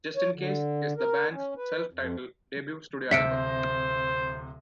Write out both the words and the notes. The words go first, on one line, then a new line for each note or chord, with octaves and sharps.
"Justincase" is the band's self-titled debut studio album.
C#5
D3
A#4
C#4
B4
F2
D1 C3 C5 E5 A#6 B6 C#7 D7